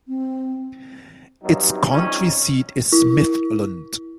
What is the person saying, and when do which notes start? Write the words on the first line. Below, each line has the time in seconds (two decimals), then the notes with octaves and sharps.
Its county seat is Smithland.
0.08 C4
1.42 G2 C3 F#3 D#4
1.90 F2 C3 G3 C#4 D#4
2.92 E4